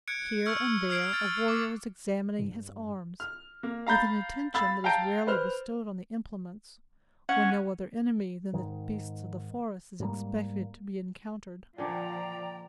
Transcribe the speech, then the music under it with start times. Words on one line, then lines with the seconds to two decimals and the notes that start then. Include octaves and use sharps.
Here and there a warrior was examining his arms, with an attention that is rarely bestowed on the implements, when no other enemy than the beasts of the forest is expected to be encountered.
0.08 F#6 G#6 C#7 D7
0.46 C#6 E6 F6 G#6 C#7
0.89 D#6 F6 G#6 C7 D7
1.09 F6 A6
1.48 D6
2.39 G2
3.20 F6
3.63 A#3
3.87 F5 A#5 B5 G6 A6
4.54 F5 B5 E6 A6
4.84 F5 G5 A5 A#5 G6 D7
5.27 B4 C5 F6
7.29 C#4 F#5
8.53 G#2 D#3
10.00 G#2 G3 G#3 A#3
11.78 A#2 D3 F3 D5 G5 A#5